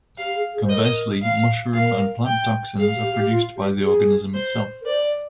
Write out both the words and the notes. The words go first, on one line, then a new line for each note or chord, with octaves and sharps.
Conversely, mushroom and plant toxins are produced by the organism itself.
G4 F5
G#4
G#4
C5
A#4 D#5
F5
A#4 F5
G5
G#4 F5
G4
G4
F4
G4
G4
G#4
C5
A#4
C5 D5
D5